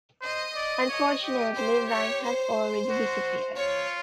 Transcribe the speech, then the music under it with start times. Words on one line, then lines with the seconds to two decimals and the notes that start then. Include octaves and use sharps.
Unfortunately, Wang has already disappeared.
0.21 C5 D#5
0.55 D5
0.88 C#5
1.22 G4
1.55 C5
1.89 C#5
2.23 C5
2.89 F#4
3.56 F4 C#5